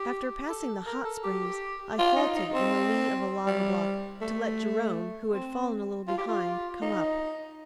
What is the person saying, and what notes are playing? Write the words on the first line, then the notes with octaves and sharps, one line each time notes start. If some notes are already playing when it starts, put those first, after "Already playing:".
After passing the "Hot Springs" I halted in the lee of a lava-block to let Jerome, who had fallen a little behind, come up.
Already playing: G4
A4
A#4
A4
G4
F4
D#4
D#4
C4
G3
A3
C4
F4
G4
F4
D#4